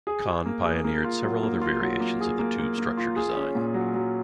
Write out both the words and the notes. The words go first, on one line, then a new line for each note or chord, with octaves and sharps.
Khan pioneered several other variations of the tube structure design.
G#4
G#4
A#3
G#4
A#3
F4
F#3
A#3
F4
F#3
A#3
G#4
A#3
A#3
A#3
F4
G#4
C#4
A#2
F#3
F#3